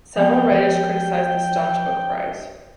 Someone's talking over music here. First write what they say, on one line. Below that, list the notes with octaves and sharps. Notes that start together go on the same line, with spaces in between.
Several writers criticized the Staunch Book Prize.
F3 B3 G5
F3 C#5